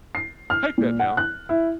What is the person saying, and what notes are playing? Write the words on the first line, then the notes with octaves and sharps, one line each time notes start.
take that down.
C7
F6
A#2
F#5
F#6
E4